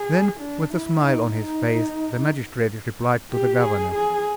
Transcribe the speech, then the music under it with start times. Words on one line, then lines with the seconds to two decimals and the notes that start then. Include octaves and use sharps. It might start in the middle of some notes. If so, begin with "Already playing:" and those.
Then with a smile on his face the magistrate replied to the governor.
Already playing: G#4
0.41 D4
0.74 E4
1.06 D#4
1.37 D#4
3.31 G4
3.63 G#4
3.95 G#4